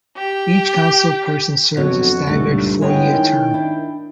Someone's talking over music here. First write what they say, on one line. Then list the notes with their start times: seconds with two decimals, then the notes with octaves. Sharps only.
Each council person serves a staggered four-year term.
0.17 G4
1.77 F2 B2 D3 F#3 F#4 C#5
2.27 C#2 G2 A#2 A3 D#4
2.81 E3 G#3 B3 E4 C#5 G5
3.14 D#3 C#4
3.54 D4 E4